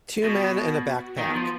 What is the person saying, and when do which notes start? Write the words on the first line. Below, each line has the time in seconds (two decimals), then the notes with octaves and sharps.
Two men and a backpack.
0.24 B2 F#4
1.19 D#3 B3
1.35 F3